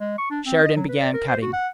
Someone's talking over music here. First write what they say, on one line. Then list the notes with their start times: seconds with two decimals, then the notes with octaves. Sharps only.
Sheridan began cutting.
0.01 G#3
0.18 C#6
0.31 D4
0.46 C4
0.64 D#5
0.77 F#3
0.89 B4
1.01 D5
1.14 A#4
1.28 C5
1.42 F#4
1.53 F#5